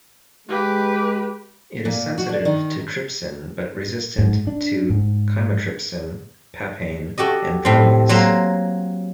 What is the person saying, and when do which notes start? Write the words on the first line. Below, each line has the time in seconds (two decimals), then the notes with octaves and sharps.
It is sensitive to trypsin but resistant to chymotrypsin, papain and pronase.
0.48 G#3 G4 B4
1.85 A#2
2.18 F#4
2.29 D4
2.45 D#3
4.19 G#2
4.47 D4
4.90 G#2
7.18 F#4 G4 A4 D#5
7.65 A2 C4
8.09 F#3 A#3 E5 C6